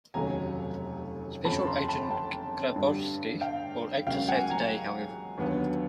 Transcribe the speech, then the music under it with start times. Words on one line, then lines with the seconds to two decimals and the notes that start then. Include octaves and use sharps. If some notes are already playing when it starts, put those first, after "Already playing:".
Special Agent Grabowsky will act to save the day, however.
0.14 F1 D#2 C#3 F#3 A3 G#5 A#5
1.45 G1 F2 C#3 F3 A5 B5
1.67 A#5 C6
1.89 A5 B5
2.10 G5 A5
2.76 G2 D3 G3
3.41 F5 G5
4.07 C#2 C#3 F#3 A#3 F5 G5
4.28 F#5 G#5
4.50 G#5 A#5
5.38 D#2 D3 F#3 B3